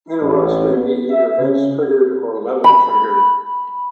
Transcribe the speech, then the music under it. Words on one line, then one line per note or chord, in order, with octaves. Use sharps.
Interrupts may be either edge triggered or level triggered.
A1
B3
E5
C#3
B5